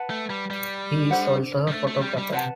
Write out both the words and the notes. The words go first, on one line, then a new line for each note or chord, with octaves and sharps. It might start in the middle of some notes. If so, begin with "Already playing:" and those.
He is also a photographer.
Already playing: B4 F#5 A5
A3
G3
G3
D4 A4 C5 F#5
G3
A3
A3
G3
G3
C3 B4 F#5 A5